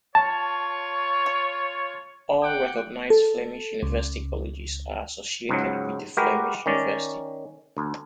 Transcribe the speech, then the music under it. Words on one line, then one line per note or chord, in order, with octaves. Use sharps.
All recognised Flemish university colleges are associated with a Flemish university.
F4 C#5 A5
F#5 G5 D6
A4
C#2
C#2 G#2 F#3
G#3 F#4 G4 A#4 B4
D#3 C#4 D5
D2